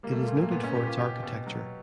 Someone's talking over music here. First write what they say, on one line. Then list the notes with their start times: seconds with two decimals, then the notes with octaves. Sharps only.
It is noted for its architecture.
0.03 G3 A#3
0.12 A3
0.21 A#3
0.28 A#2
0.42 A#3
0.51 A#2 B3
0.63 C#4
0.75 A#2 G4
0.87 F4
0.99 B2 G4
1.23 B2
1.47 F#3